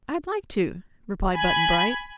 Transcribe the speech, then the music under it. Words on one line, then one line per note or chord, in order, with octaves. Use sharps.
"I'd like to," replied Button-Bright.
G#5 B5